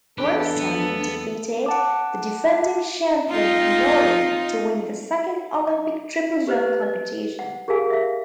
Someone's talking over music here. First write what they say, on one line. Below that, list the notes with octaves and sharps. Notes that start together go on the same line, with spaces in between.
Prinstein defeated the defending champion Connolly to win the second Olympic triple jump competition.
E2 D4 G4 A4 B4
B3
F#5 A5 D6
C4 D#4 F4
D6
G4 B4 C5 D#5
D#5
F#5
G4 G#4 A#4 F5 G#5
E5 F5